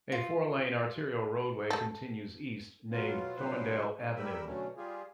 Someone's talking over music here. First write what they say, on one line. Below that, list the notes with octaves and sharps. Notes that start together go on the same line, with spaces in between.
A four-lane arterial roadway continues east, named Thorndale Avenue.
F4
A3 A4
B2 F#3 B3 F4
G2 A#2 C#3 F#3 B4 C5
G#2 D3 A3
G3 G4 A#4 B5 E6
B2 D3 F#3 A3 C#4
G3 F4 G4 G#4